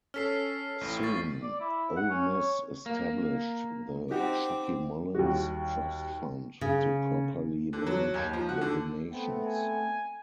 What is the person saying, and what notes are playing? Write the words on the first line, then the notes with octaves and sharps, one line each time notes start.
Soon, Ole Miss established the "Chucky Mullins Trust Fund" to properly manage the donations.
C#4 A4 F6 B6 C7
A1 A2
C#6 A6 C7
D5
E4
F#5
C#4
C#5
A#3
C4 D#4 G4 F#5 D6
D#2 G3 F#4
C#3
D3
F#3
D#2
F3
F#4
D3
A3 B3 C4
G#5